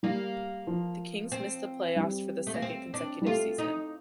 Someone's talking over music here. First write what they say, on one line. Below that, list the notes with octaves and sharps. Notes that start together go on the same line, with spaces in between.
The Kings missed the playoffs for the second consecutive season.
G3 A#3
F3
C4
G3
A3
A#3
C4
D4
G3
A3 F4
D#4